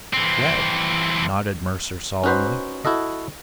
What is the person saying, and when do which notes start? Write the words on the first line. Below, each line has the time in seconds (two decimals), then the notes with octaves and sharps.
"Webbed," nodded Mercer solemnly.
0.13 E3 C4
2.24 C#4 D#4 F#4 B4 C5
2.85 E4 F#4 A4 D#5